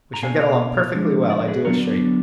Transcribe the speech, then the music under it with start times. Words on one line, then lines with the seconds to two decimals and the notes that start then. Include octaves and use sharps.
We shall get along perfectly well, I do assure you.
0.14 A#5
0.23 B2 A#3 D4 F5 G#5
0.41 D5 F5
0.94 D3 F3 G#3 D4
1.29 A#4 D5
1.48 G#4 B4
1.65 D3 F#3 B3 D4 F#4 A#4
1.83 D4